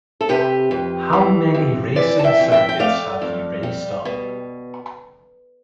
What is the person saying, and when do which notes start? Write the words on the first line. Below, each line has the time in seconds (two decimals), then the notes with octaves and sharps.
How many racing circuits have you raced on?
0.21 A4
0.29 C3 G4 B4
0.71 F2
1.13 E3
1.54 F2
1.96 E3 B4 D5
2.19 A5
2.24 E5 G5
2.38 F2
2.51 E5 G5
2.69 G5
2.79 A3 D5 F5
3.22 F2
3.63 G3
4.05 B2